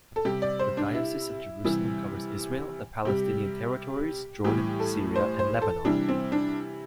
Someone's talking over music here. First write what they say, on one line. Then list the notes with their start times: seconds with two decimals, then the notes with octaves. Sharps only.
The Diocese of Jerusalem covers Israel, the Palestinian territories, Jordan, Syria and Lebanon.
0.16 A4
0.25 C3 G3 G4
0.42 D5
0.59 C5
0.77 D4
0.94 E4
1.64 C3 E3 G3
3.05 C3 G3 G4
4.44 A2 E3 G3 G4
4.80 A4
5.16 C5
5.39 C5
5.62 A4
5.85 C3 E3 G3 D4
6.08 C4
6.32 D4